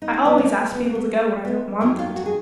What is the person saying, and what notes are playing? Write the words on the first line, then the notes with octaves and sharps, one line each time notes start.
"I always ask people to go when I don't want them to."
D#4
D4
B3
D2 D3 F3 A#3
B3
A#3
B3
B3
F2 D#3 F#3 A#3 D4
F4
F#4
G#4